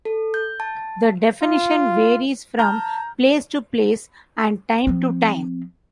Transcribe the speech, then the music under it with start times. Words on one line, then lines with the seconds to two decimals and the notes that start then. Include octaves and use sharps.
The definition varies from place to place and time to time.
0.05 A4
0.34 G6
0.60 A5
1.42 F4
2.59 A5 A#5 F6 G6
4.87 F3 C4